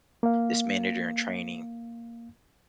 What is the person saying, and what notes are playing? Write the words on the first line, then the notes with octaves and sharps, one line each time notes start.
this manager-in-training,
A#3 F5